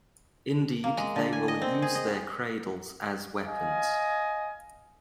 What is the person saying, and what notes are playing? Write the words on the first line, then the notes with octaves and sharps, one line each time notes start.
Indeed they will use their cradles as weapons.
A#3
G#3
D3
G#5
D#5
C4
G#4
D#5
D#5 F5 G#5